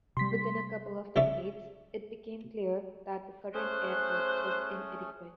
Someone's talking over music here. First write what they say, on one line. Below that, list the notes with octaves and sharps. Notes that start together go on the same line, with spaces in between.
Within a couple of decades, it became clear that the current airport was inadequate.
C3 G3 C6 B6
C2 F3 D4 A4 E5 C#6
A3 C#4 G#4 C5 F#6